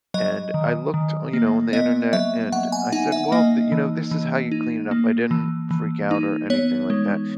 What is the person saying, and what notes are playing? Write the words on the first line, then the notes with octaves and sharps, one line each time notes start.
and I looked on you know, on the Internet, and I said, "Well, the" you know, "this is how you clean it up." I didn't freak out or anything like that,
F#3 D#5
D#3
D#3
A#3
B3 D#5
F#3 E5
F#3 F#5
G#5
D#4 F#5
E5
A#3 D#5
E3
E3
D#4
A#3
E3
E3
D#4
B3 C#5
G#3